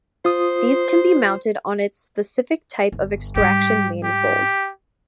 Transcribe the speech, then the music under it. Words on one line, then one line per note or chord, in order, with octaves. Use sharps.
These can be mounted on its specific type of extraction manifold.
F4 C5 D#6
G1
G#2 G3 G4
G4